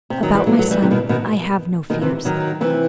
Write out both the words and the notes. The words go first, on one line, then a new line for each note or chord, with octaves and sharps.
About my son, I have no fears.
C3
D#3 F#3
E3 G3
F#3 A3
F#3 A3
E3 G3
C3 E3
B2 D#3
B2 D#3
B2 D#3
C3 E3
D#3 F#3
C3 E3